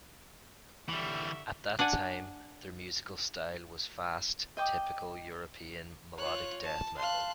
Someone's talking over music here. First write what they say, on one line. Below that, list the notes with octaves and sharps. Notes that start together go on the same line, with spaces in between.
At that time, their musical style was fast, typical European melodic death metal.
D3 E3 G3 E5 C#6
D4 D5 F#5 G#5
D#5 G5 D6
F4 C#5 F#6
A5
F5 A5 C6 F#6